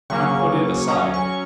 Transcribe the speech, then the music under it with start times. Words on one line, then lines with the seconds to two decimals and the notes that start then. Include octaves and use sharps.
He put it aside.
0.10 C#3 F#3 A#3 C#4 C#6
0.88 F#3 C#4 A#5
1.14 C#6